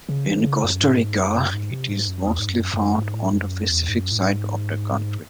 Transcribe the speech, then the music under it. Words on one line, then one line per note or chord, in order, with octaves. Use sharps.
In Costa Rica, it is mostly found on the Pacific side of the country.
C#3
E3
D#3
C#3
F#2
G#2
A2
G#2
F#2
G#2
C3
G#2
F#2
E2
G#2
F#2
F#2
G#2
A2
G#2
F#2
E2
G#2
F#2
A2
G#2